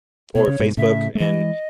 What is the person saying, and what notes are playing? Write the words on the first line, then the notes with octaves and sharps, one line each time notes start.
or Facebook, and
B2 C#5
C#3
G#2 B2
A2 C#3 E5
A3
E3 G#3 D#5